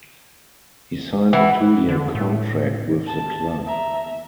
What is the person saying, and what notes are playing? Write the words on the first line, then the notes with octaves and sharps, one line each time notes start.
He signed a two-year contract with the club.
E3 F#5
D3
A2
A5
E5 A#5